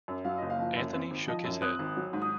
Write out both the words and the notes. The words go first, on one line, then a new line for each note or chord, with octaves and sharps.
Anthony shook his head.
F#2
F#3 F5
F#1 D#5
F5
F3
F#2
C4
G#1
F3 D#5
F#2
C4 D#6 F#6
G#1
F#3
G#2
D#6